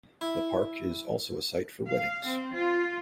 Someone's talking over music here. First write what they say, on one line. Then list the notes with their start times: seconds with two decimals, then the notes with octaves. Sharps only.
The park is also a site for weddings.
0.21 E4
1.88 F5
2.24 C4
2.54 F4